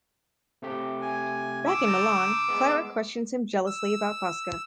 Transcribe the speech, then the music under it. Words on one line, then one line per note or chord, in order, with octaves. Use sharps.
Back in Milan, Clara questions him jealously about Fosca.
C3 A3 G4
G#5
D6 E6
A5 A#5 G6
G#3 B3
E6